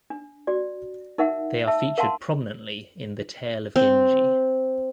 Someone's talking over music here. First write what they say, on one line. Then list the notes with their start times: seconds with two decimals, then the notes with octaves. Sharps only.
They are featured prominently in "The Tale of Genji".
0.10 D4
0.47 F#4 D5
1.18 D#4 A#4 E5 F#5
1.68 E5 A5 E6
1.98 A#4 F5 F#5 A5 C6
3.76 C4